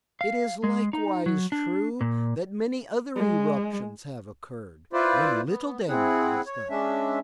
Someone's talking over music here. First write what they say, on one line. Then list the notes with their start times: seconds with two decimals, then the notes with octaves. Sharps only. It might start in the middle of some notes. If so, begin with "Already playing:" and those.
"It is likewise true that many other eruptions have occurred, when little damage was done."
0.21 F5
0.64 G#3
0.93 D#4
1.26 F#3
1.52 D4
2.01 A#2
3.16 G#3
4.93 E4 F4 B4 C5 D5
5.48 B3
5.88 C4 E4 G#4 F#5
6.46 C#5
6.70 G#3 C#4 D4 E5